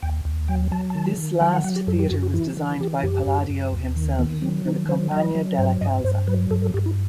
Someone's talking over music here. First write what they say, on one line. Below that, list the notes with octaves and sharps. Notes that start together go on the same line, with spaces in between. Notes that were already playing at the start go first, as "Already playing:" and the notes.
This last theatre was designed by Palladio himself, for the Compagnia della Calza.
D#2 G5
D#2
F#3 G5
F#3 A5
A5
D#3
D#3
F#3 G5
F#5
F#3 F#5
G4
F#2 A4
G4
F#2 F#4
F#4
E3 E4
E3
E3 G4
F#2 G4
F#2
F#2
D#2
D#3
D#3 B3
F#3 C4
D#3 D#4
F#3 C5
F#3 D#5
F#3
G2 C5
G2 D#5
G2 C5
F#3 B4
G2 A4
A4
G2 G4
E4